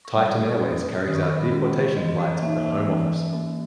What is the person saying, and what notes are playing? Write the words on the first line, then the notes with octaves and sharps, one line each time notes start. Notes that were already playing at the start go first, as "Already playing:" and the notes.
Titan Airways carries out deportation flights for the Home Office.
C#6
G3 D#6
C#4 D#6
D#3 D#6
C#6
B5
C#6
G#3 C#4
E3 D#5
C#5
A#3 D#4 E5
E5
E3
A#3 C#4